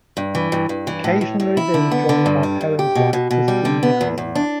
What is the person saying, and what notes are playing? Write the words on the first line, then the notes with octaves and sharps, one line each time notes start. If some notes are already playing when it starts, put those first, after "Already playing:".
Occasionally, they were joined by Perren's wife Christine Yarian.
G2
E3
G2
G2
E3
A2
A2
A2
E4
D3
B3
D3
G2
G3
G2
G4
B2
B2
B2
G3
D3
B3
E2
E2
D4